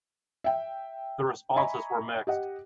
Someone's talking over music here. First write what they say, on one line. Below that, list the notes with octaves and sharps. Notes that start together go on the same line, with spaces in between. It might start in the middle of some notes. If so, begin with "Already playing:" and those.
The responses were mixed.
E5 G5
D#5 E5 G#5 A#5 B5 C#6
G4 D#5 F#5